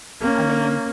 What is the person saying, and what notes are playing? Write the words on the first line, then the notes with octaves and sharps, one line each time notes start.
I mean,
A#3 C#4